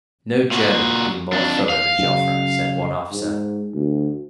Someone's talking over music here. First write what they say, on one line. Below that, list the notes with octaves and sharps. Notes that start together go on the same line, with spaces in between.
"No German could be more thorough than Joffre," said one officer.
A#2 F#4
F2 D4
F5
F#2 C#3
G#2
D2